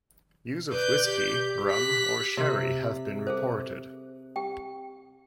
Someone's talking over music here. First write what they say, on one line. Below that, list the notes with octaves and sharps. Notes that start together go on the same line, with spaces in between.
Use of whisky, rum, or sherry have been reported.
B4 D5 G6
G4
F#6 B6
C3
G#4 A4 C5
G4 G5